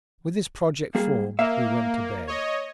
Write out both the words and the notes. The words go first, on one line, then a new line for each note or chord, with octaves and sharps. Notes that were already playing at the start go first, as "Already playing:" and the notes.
With this project formed, we went to bed.
G3 A#3 G#4
A#3 E5 F5
C#5 D#5